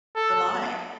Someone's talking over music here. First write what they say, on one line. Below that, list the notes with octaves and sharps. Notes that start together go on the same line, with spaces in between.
They're lying.
A4